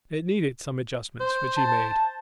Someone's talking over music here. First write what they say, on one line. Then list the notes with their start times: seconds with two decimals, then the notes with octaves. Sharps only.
It needed some adjustments, which he made.
1.21 C5
1.58 A5